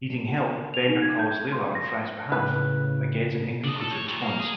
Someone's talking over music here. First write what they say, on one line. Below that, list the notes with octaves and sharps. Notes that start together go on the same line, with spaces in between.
Needing help, Bender calls Leela on Fry's behalf, but gets an inconclusive response.
F7
D#4
G#6
G6
C6
A#6
A2 C#3 B4
D4 D#5
A4
C#5
D#2 A#2
A#3
G#4